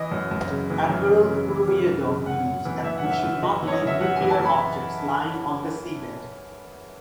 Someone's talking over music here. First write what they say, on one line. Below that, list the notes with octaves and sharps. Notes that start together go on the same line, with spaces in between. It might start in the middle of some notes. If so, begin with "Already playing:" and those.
Admiral Kuroyedov believes that "we should not leave nuclear objects lying on the seabed".
Already playing: E3 D#5
F#2
F#2
C#3
E3
F#2
F#2
C#3
E3
F#2
F#2
C#3
F#2 F#5
F#2
E3
E3 E5
F#5
F#2
E5
F#2
E3 D#5
E3 C#5
D#5
F#2
E5
F#2 F#5
E3 G#5
A5
E3
B5